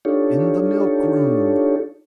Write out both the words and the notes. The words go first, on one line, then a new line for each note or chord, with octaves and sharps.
"In the milk-room."
D4 D#4 F4 G4 A4 C#5